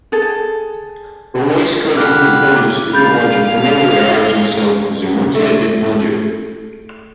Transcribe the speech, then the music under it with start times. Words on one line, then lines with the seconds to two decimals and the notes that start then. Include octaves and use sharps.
For voice coding purposes, you'll want to familiarize yourself with the multiedit module.
0.12 G#4 A4
1.97 G4 F5 F#5 B5
2.93 G#4 F5 B5 G6 A6
5.35 A3 A4